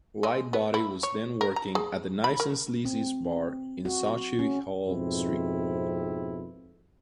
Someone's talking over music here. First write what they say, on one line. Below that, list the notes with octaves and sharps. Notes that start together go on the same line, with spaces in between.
Lightbody was then working at the Nice n Sleazy's Bar in Sauchiehall Street.
G#3
B3
E4
C#5
A#4
A#5
G#4
B5
A#4
C4
F#4
C#4
F2 G#2 B2 C4 E4